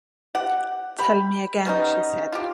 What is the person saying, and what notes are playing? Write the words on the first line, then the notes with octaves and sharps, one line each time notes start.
"Tell me again," she said.
G4 F#5
G4 B5
G3 B3 C#4 D#4
F4 G4